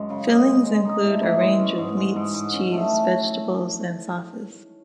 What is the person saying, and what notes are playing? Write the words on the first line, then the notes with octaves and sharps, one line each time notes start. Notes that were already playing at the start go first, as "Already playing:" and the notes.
Fillings include a range of meats, cheese, vegetables and sauces.
Already playing: F#2 G#3
C#3
D#5
G#3
G#3
D#4
A2
E3
G#3
C#4
G#2
G#3
G#2
G#2
C#4
A3
C#4